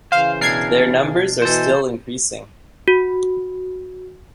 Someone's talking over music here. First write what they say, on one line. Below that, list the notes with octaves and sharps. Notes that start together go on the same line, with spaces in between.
Their numbers are still increasing.
C#3 E3 C5 F5
B2 D4 A#4 G#6 C7
B2 E3 A4 C5
F#4